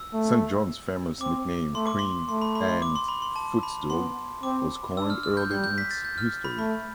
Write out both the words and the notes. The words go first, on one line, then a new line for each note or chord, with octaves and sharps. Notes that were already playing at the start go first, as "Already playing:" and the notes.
Saint John's famous nickname 'Queen Anne's Footstool' was coined early in its history.
Already playing: E6
A3
C4 D6
A3 C6
D6
C6
A3 C6
B5
B5
C6
D6
C6
B5
C6
A5
B5
B3 C6
C4 D6
D4 E6
F6
F6
G6
G3 G6
G6
B6
A6
G6
F6
B5
A3 B5